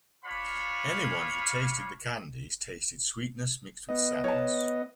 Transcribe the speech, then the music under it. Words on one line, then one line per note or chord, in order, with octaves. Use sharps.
Anyone who tasted the candies tasted sweetness mixed with sadness.
D4 F4 C#5 F5 B5
B3 D#5
C#5 A5